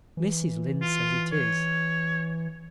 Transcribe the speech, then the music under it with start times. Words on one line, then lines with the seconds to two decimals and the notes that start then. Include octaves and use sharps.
Mrs. Lynde says it is.
0.17 E3
0.82 F4
1.33 C#5